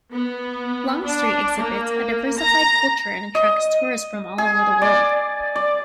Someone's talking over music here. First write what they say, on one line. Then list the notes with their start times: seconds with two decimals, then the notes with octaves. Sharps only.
Long Street exhibits a diversified culture and attracts tourists from all over the world.
0.12 B3
1.04 D4
1.59 A#3
2.37 A#5
3.35 D#5
4.38 G#4
4.82 D5
5.56 D5